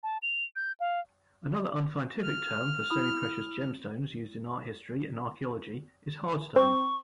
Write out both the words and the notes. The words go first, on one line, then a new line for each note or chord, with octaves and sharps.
Another unscientific term for semi-precious gemstones used in art history and archaeology is hardstone.
A5
F7
G6
F5
F6
E4 B5 D#6
C4 C#6